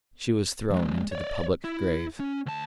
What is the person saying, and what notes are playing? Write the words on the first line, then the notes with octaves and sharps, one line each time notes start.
She was thrown into the public grave.
F3 G#3
C#5 D5
E4
C#4
D2 A5